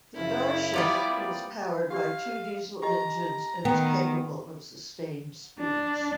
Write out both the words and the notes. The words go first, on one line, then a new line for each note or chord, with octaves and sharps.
The "Darshak" is powered by two diesel engines and is capable of sustained speeds.
F#2 C#3 A3 C#4 E4 F4
G3 B3 F4 D5
A#3 C4 D5
F#4 G4 D5 F5
G4 D#5 A#5
D#3 B3 G5
D4